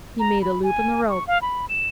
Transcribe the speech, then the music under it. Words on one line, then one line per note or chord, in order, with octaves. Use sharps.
He made a loop in the rope.
A#5
B5
G#5
C#6
F5
B5
E7